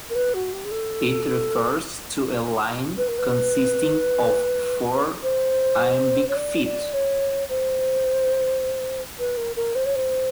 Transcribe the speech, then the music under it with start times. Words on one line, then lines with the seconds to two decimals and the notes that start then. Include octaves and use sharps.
It refers to a line consisting of four iambic feet.
0.09 A#4
0.15 B4
0.34 F#4
0.52 G4
0.65 G#4
0.71 A4
2.97 B4
3.08 A#4
3.18 B4
5.23 C5
6.28 C#5
6.36 D5
6.65 D5
6.93 C#5
7.49 C5
9.19 B4
9.37 A#4
9.56 A#4
9.75 C5
9.85 C#5
9.95 C5